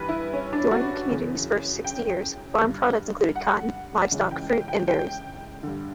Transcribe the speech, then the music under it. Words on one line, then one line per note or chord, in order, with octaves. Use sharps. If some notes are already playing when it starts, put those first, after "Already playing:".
During the community's first sixty years, farm products included cotton, livestock, fruit, and berries.
Already playing: G2 E3 B4
E4
C#4
D4
F#4
F#2 C#3 E3
G5
G2 D3
F#5
C#2 C#3 E3
G5
G5
G5
G5
G2 D3